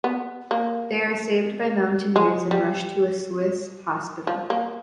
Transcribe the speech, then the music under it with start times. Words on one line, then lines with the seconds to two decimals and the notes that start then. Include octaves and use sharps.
They are saved by mountaineers and rushed to a Swiss hospital.
0.04 B3
0.51 A#3
2.16 G#3
2.51 G3
4.27 F3
4.50 A#3